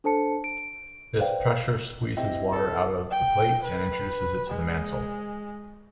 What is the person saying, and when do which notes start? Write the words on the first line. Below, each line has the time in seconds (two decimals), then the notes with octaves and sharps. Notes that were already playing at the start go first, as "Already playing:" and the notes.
This pressure squeezes water out of the plate and introduces it to the mantle.
0.04 D4 A4 C5 A5 C#7
0.44 D7
1.19 B4 C5 D5 F5 G5
2.17 C4 E4 G4 D#5 G5
2.52 A4
3.11 G5
3.64 B4
4.50 G#3